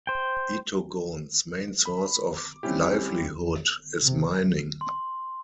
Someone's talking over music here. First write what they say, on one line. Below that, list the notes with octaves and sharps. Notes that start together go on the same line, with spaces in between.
Itogon's main source of livelihood is mining.
C5 G5
B5
D6
G3 C4 C#4 E4 G4
C3
C6